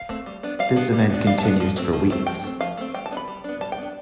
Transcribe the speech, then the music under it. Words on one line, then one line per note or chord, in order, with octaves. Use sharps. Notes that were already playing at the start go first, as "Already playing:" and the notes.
This event continues for weeks.
Already playing: F5
A3 C4
G3
B3 D4
G3 F5
B3 D4
G3
B3 D4
G3 F5
A5
B3 D4
F3
A3 C4
F3
A3 C4
F3 G5
A3 C4
F3 F5
A3 C4
G3 G5
A5
B3 D4
B5
G3
B3 D4
G3 A5
G5
B3 D4